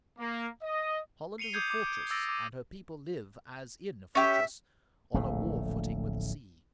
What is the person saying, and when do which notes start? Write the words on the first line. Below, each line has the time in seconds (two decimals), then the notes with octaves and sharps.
Holland is a fortress, and her people live as in a fortress, on a war footing with the sea.
0.19 A#3
0.63 D#5
1.38 C7 C#7 D#7 F7 G7
1.53 D6 D#6 G6 G#6 C7
1.70 D6
1.87 D7
2.10 D6 E6 A6 A#6 D7 D#7
2.29 D6 D#7
4.15 C#4 G4 E5
5.14 D1 A#1 A2 A3